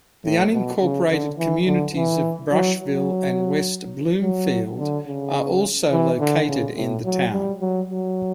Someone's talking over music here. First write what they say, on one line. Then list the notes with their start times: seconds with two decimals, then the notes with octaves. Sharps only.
The unincorporated communities of Brushville and West Bloomfield are also located in the town.
0.25 A2
0.53 B2
0.82 C#3
1.11 D3
1.38 E3
1.66 D3
1.95 E3
2.52 F#3
2.80 F#3
4.22 F#3
4.79 D3
5.07 C#3
5.92 E3
6.20 D3
6.48 C#3
6.77 A2
7.05 F#3
7.32 G3
7.61 F#3
7.90 F#3